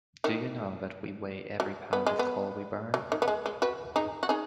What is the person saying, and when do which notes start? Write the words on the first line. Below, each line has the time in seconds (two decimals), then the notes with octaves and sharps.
Do you know that we weigh every pound of coal we burn.
0.24 D#3
1.60 F#3
1.93 B3
2.07 G#3
2.19 B3
2.94 F#3
3.12 D#3
3.22 B3
3.28 G#3
3.46 G#3
3.62 F#4 B4
3.96 D#4 G#4
4.23 F#4
4.29 D#4 G#4